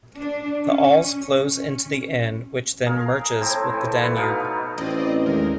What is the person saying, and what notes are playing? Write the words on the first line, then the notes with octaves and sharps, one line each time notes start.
The Alz flows into the Inn which then merges with the Danube.
D4
C#4
C#4
G#4 A#4 F5
A2 A3 C4 E4
E3
B4 D5 F5 C#6
B2 B3 D#4 F5
A1 C4 D5 D#5
D#2 G#3 A#4